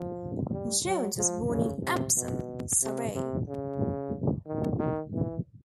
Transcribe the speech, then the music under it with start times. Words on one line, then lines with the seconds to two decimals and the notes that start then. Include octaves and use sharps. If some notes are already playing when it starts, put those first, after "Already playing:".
Johns was born in Epsom, Surrey.
Already playing: F3
0.53 G3
0.85 F#3
1.18 F3
1.50 C#3
1.84 C3
2.17 B2
2.83 C3
3.15 C3
3.48 C#3
4.47 D#3
4.79 D#3
5.13 E3